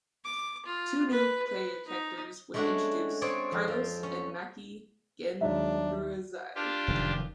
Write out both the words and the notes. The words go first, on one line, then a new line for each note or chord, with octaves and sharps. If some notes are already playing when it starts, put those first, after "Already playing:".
Two new player characters were introduced: Carlos and Maki Genryusai.
D6
F4
B4
B4
D#4
G#3 A3 C#4 D4 E4 F#4
C4 G#4 C#5 D5
F2
F3
C#4
D#2 F#3 D4 D#4 E5
D4 F4 G4
F1 F#2 D#3